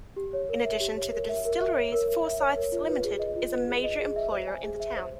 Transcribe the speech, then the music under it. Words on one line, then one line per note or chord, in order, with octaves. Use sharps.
In addition to the distilleries, Forsyths Limited is a major employer in the town.
G4
C#5
A#4
E5
G4
C#5
A#4
E5
A#4
E5
C#5
A#4
A#4
E5
C#5
A#4
F4
B4
G#4
D#5
F4
B4
G#4
D#5
G#4
E5
C5
G#5
G#4
E5
C5